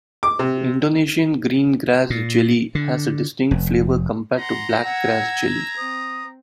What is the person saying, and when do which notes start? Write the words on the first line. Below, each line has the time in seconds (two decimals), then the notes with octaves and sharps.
Indonesian green grass jelly has a distinct flavor compared to black grass jelly.
0.23 D6
0.39 C3
2.10 A#2
2.75 D3
3.51 F1
4.39 F#5 A#5 C6
4.85 F#5 E6 G#6
5.78 C4 D#6